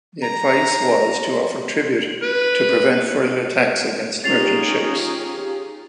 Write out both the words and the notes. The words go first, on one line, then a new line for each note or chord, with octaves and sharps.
The advice was to offer tribute to prevent further attacks against merchant ships.
A#5
B4
C#4 D#4 F4 G4 G#4 A6 C7 F7